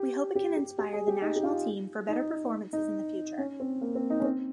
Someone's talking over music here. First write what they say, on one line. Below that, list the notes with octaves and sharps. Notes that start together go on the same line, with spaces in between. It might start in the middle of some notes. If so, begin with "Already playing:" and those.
We hope it can inspire the national team for better performances in the future.
Already playing: G4
G4
G4
G4
G#4
G4
D#4
G4
F4
D#4
D#4
C#4
C4
A#3
C4
D#4
C#4
C4